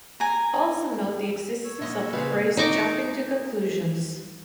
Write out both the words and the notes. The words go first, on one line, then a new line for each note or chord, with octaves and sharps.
Also note the existence of the phrase "Jumping to conclusions".
G#5 A#5
C#5 E6
F#2 A#2 D#5 E5
C#3 C4 B4
D#4 A#5 C#6 D6